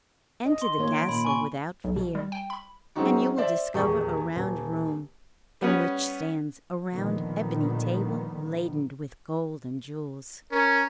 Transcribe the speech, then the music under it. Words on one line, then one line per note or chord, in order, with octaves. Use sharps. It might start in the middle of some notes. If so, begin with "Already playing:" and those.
Enter the castle without fear, and you will discover a round room in which stands a round ebony table laden with gold and jewels.
D#5
C6
D#3 A#3 C#5
D7
A#2 B5 F#7
G#5 C#6
B1
B2
G3
G5
B5
F#3 G#3 C4 C#4 D#4 F#4
C5 D5 E5
D#1 E2 G4 G#4 C#6
D#1
G3 B3 C#4
A#2 D3 D#3 F3 G3 B3
C#4 A#4